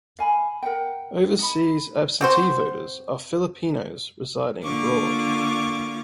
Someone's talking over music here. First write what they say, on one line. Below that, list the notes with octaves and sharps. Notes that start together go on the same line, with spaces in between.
Overseas absentee voters are Filipinos residing abroad.
F5 G#5 B5
A#4 F#5 G5
D#4 B5
C4 F#4 C5
D3 A#3 F4 C#6 D6